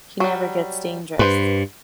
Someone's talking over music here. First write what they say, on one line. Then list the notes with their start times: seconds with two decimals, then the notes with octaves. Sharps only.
He never gets dangerous.
0.20 F#3 G3
1.19 G2 B4 C5